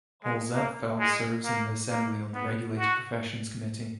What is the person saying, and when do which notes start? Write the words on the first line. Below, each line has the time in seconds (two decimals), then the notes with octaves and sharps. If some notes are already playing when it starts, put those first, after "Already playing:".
Holzapfel serves in the Assembly on the Regulated Professions Committee.
0.24 G#3
0.54 A#3
1.00 G#3
1.44 A#3
1.89 A#3
2.34 B3
2.79 F#4